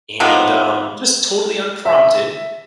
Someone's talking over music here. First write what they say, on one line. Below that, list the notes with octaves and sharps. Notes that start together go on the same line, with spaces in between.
And, um, just totally unprompted,
C3 D#3 F3 B3
E5